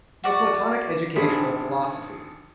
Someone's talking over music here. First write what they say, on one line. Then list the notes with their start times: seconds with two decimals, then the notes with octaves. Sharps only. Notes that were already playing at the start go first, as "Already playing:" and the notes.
The Platonic Educational Philosophy.
0.24 F#4 D5
1.16 G#1 D3 G#4 B5